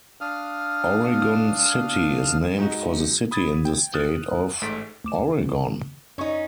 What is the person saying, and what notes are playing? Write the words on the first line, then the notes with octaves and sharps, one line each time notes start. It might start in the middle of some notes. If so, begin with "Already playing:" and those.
"Oregon City" is named for the city in the state of Oregon.
D4 F5 D#6 F6
G#3 D#4 F#4
B5 D#6 G#6 A6
G5
D#6 F6 F#6 A6
A1 G#2 A3 A6 B6 D7
D2 D6 E7
F#2 C#4 D#4 C#6